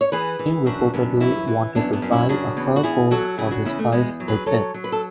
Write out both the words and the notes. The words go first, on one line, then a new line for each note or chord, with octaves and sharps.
He reportedly wanted to buy a fur coat for his wife with it.
C#5
E3 G#4 B4
E3
F#2 D4 F#4
F#2 B3 D4
E3 C#4 E4
E3
F#2 B3 D4
B3 D4
F#2
C#4 E4
C#3 D4 F#4
E2
F#4
E2 E4 G#4
F#3 F#4 A4
C#3 E4 G#4
D4 F#4
E2 C#4 E4
A3
E2 G#3 B3
F#3
G#4 B4
F#3 A4 C#5
F#3
B4
A4